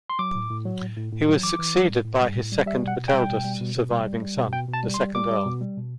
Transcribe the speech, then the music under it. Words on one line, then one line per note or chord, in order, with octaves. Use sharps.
He was succeeded by his second but eldest surviving son, the second Earl.
C6
F#3 D6
A2
A2
F#3
A2
A2
A2
F#3
E3 D6
E3
G3
A2
A2
G3
A2
G3
G3 E5
B2
F#5
B2
G3 G5
B2
G3
B2
B2
G3
G3
G3
B2
B2 G5
B2
A5
G3
C6
G3
G3 D6
G3
B2
G3
B2